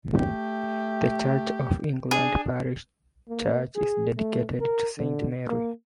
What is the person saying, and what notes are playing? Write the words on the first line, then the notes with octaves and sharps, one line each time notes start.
The Church of England parish church is dedicated to Saint Mary.
A3 G4
D4 G#4
A#3
G#4
A3
A#4
D3
A#3